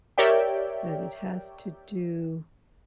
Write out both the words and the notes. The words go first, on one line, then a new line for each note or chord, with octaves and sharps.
But it has to do
G4 A#4 C#5 D5 E5 G5